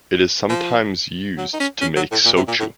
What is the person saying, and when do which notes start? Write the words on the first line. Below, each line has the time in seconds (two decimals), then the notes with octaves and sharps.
It is sometimes used to make shochu.
0.49 F3
1.38 F#3
1.53 D#4
1.60 C#4
1.81 C#4
1.96 F#3
2.11 A2
2.25 A#2
2.36 C3
2.48 A#2
2.59 A2